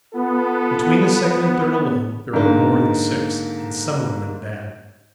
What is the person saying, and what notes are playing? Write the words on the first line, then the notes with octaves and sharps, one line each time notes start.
Between the second and third alone there are more than six, and some of them bad.
B3 F4 A4
G#2 D3 A#3